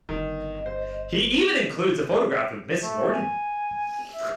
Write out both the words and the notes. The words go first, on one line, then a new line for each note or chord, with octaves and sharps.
He even includes a photograph of Miss Norton.
D1 G1 D#3 D#5
C5
A3
G#5
E5